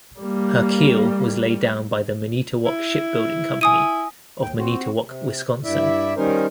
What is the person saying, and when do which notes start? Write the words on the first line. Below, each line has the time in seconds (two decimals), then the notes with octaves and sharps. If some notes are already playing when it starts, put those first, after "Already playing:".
Her keel was laid down by the Manitowoc Shipbuilding Company of Manitowoc, Wisconsin.
0.20 G3 A#3
2.65 E4
3.61 E4 G#5 D#6 D#7
4.42 D#2 G5
4.58 C4 F#4
5.05 C3
5.64 G2 E4 D5 E5
6.17 D#3 G3 C#4 D#4 A#4 C5